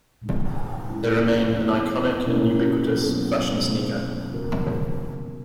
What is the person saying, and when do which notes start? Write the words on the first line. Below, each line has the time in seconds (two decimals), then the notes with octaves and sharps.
They remain an iconic and ubiquitous fashion sneaker.
0.22 A#2 G#3 D#4
0.90 B2 G#3 C#4 E4
1.58 E3 B3 E4 G#4
2.26 B2 A#3 C#4 E4 A#4
2.95 F#3 B3 F#4
3.63 B2 G#3 C#4
4.31 C#3 E3 B3 F#4 A#4
4.99 E3 B3 F#4